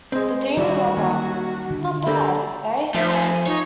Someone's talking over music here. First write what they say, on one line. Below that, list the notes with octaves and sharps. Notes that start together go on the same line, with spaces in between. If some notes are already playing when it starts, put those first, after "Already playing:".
"The Demon Lover " — not bad, eh?
G#3 C4
D#3 G3 C#4 F#4 D5 E5
D#2
D3
A#3 D4 G4 A4 A#4
F3 A3 C4 E5
G#5
D#4 C#5